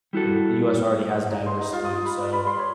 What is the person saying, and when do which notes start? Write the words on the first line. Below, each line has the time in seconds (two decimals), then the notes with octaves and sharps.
eh, the US already has diverse food, so,
0.13 G3 E4 F#4 A4
1.30 D#4
1.46 C6
1.60 D#4
1.73 F4
1.85 D#6
2.06 B5
2.19 D5
2.33 B5
2.47 C6
2.59 C#5